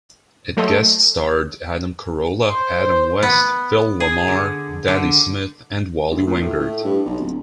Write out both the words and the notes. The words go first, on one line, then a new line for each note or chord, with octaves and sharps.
It guest starred Adam Carolla, Adam West, Phil LaMarr, Danny Smith, and Wally Wingert.
F#3 A3 A4 C5 D#5
C5
B3
G#4
D3
D3
D2
A#2
A2
A2
G2
B1
D1